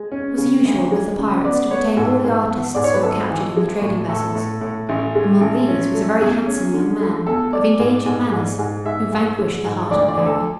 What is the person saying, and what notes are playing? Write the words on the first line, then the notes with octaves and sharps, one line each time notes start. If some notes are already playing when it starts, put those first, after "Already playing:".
It was usual with the pirates to retain all the artists who were captured in the trading-vessels; among these was a very handsome young man, of engaging manners, who vanquished the heart of Mary.
Already playing: G#3
C#4
C#3
D2
G#3
C#3
B3 D5
B3 C#5
G#2 A4
G#2
B3
G#2 D5
C#5
B4
G#1 A4
E3
G#3
A2
A2 A4
A2
A2
A1
G#3
A1
C#4
A3
E2 G#4
C#4
D3
A3
E2 A4
A3 D5
G#2
G#2
G#2
G#2
G#2 E5
G#2
G#3
G#2
D2 D5
D5
D2
A4